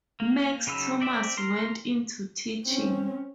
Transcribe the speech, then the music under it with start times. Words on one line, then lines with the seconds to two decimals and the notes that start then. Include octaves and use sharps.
Max Thomas went into teaching.
0.20 A#3
0.67 C#3 F#3 D#4 B5 E6
1.01 C4 D5 E5
1.37 A#4 C6
2.65 C4 C#4